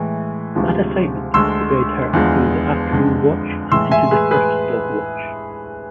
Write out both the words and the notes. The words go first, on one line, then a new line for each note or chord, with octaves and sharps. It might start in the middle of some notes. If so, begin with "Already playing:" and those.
That assignment occupied her through the afternoon watch and into the first dog watch.
Already playing: A2 E3 G#3
D2 C3 F3 G#3
D2 D3 G#3 C6 E6
E2 D3 F3 G#3
F2 D3 G#3
A2 E3 G#3 C6 E6
E5 G#5
G#4 B4
G#4 B4